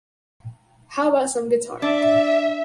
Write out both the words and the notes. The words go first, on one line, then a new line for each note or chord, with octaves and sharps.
How about some guitar?
D4 E5